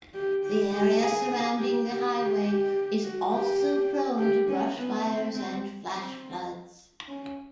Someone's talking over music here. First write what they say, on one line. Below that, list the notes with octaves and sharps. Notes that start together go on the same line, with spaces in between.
The area surrounding the highway is also prone to brush fires and flash floods.
G4
G4
G4
G#4
G4
G4
G4
G4
F#4
G4
G4
C#4
B3
C4
C4
C4
C#4